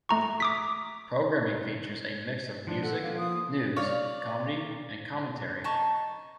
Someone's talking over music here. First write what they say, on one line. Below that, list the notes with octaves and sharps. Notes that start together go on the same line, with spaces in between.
Programming features a mix of music, news, comedy and commentary.
A3 A#5 C#6
D6 D#6 B6
F3 D4
A4 F#5
F3 A#3 F5
D#6
C#5 D5 F5
D#4 A5 C#6